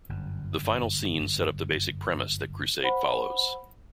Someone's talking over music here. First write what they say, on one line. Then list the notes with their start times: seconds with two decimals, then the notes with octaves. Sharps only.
The final scenes set up the basic premise that "Crusade" follows.
0.09 G1 F#2
2.83 C5 F#5 B5